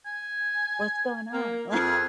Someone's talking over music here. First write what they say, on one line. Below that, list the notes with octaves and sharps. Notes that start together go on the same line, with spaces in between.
"What's going on?" Like
G#5
A#3
F2 G#4